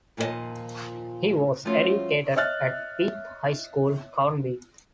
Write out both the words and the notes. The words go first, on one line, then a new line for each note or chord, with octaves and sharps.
He was educated at Beath High School, Cowdenbeath.
D#2 A#2 F3 A4 D#5 A5
F3 A3 C#4 F4 F#4
C#5 D#5 E5 F6 F#6 A6